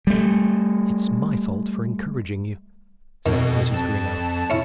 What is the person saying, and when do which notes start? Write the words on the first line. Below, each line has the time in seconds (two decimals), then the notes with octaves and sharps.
"It's my fault for encouraging you," said Mrs. Greenow.
0.07 G3 A3
3.26 F2 B2 D#3
3.71 F2 A5
4.50 C#4 E4